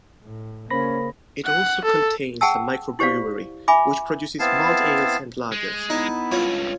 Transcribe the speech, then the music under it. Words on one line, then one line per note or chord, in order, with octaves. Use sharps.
It also contains a microbrewery which produces malt ales and lagers.
A2
C#3 A#3 C#4 C5 B5 A#6
F#5
A4
G#4 F#5 G5 A5 E6
E4 G4 C5 D5 F5
E5 G#5 B5 D6
B3 C4 E4 F5 A5
G#3
B3 D#4 E4
C#2 G2 F4 C#5